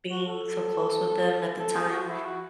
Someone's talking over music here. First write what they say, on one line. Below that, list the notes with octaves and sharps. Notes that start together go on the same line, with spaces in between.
being so close with them at the time,
F#4
A4
A4
G#4
F#4
E4
F#4